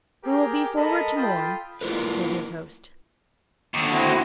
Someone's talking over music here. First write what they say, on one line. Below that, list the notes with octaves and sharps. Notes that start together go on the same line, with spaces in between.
We will be forward to-morn, said his host.
G4 G#4 A#4
G#3 A4 A#4 D#5 A5 B5
F4 A4 G5 A5 B5 D#6
A#3 E4 F4 A#4 B4
D#2 D3
C4 E4 F#4